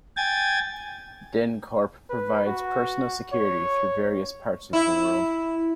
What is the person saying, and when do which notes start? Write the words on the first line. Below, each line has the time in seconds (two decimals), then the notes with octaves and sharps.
DynCorp provides personal security throughout various parts of the world.
0.17 G5 G#5 G#6 A6
2.10 B4
2.46 F#4
3.33 C#5
4.73 E4